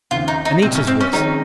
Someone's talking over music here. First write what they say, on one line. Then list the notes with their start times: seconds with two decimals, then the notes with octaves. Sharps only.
Anita's voice!
0.11 D#2 C#3 F3 F4
0.28 D#4
0.45 D#4
0.62 C2 A#2 G3 C4
0.75 C#4
0.87 C4
1.01 C#4
1.13 F2 D#3 G#3 C#4 D#4